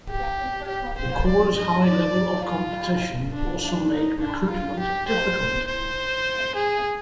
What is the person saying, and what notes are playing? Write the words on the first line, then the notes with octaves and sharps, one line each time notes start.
The corps' high level of competition also made recruitment difficult.
G4
G4
C5
D5
D#5
D5
F4
D4
D4
D#4
D4
F4
G4
C5
C5
G#4